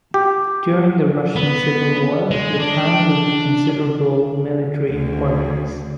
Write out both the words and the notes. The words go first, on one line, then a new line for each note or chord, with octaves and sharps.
During the Russian Civil War, the town was of considerable military importance.
G4
B3
G#3
D4
D2